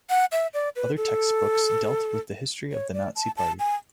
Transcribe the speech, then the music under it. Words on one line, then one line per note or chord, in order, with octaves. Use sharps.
Other textbooks dealt with the history of the Nazi Party.
F#5
E5
D5
B4
A4
C#5
D5
A5
A5
G#5